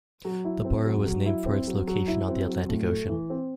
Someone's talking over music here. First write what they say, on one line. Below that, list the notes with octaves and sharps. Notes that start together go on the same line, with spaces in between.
The borough was named for its location on the Atlantic Ocean.
F#3
E4
C4
F#3
F#3
E4
C4
F#3
F#3
E4
C4
F#3
A2
A3
E3
C4